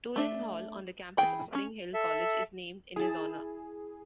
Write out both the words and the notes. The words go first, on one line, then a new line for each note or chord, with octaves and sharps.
Toolen Hall, on the campus of Spring Hill College, is named in his honor.
A3 D4 E5
E3 G#4 G5 B5
C#4
A4 E5
E4 G#4 A5